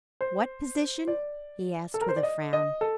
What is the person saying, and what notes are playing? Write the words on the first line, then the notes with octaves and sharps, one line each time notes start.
"What position?" he asked, with a frown.
C5
D5
A4
A#4
C5
D5
D#5
D#5
A4